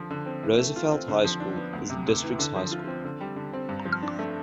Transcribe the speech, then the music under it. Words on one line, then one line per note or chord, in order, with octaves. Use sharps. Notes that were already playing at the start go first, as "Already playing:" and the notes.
Roosevelt High School is the district's high school.
Already playing: D3 F3
D3
C4
E3
A3
F4
C4
D3
F3
D4
B3
D2
C3
D2
E3
D3
F3
F4
C4
D3
G3
D3
C4
G2
F3
D4
A3